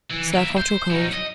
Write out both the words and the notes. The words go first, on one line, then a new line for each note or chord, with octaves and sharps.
Serve hot or cold.
E3
A#3 E5
C5
F#3 D#4
D#5